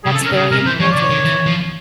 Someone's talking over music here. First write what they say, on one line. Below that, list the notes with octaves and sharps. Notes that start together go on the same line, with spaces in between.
That's very important.
G#4
C#3
A4
C#3
A#4
D3
C#3 G#4
C3 A#4
E3 C5
F3 C#5
D3 D5
C#5
D#3
E3
F3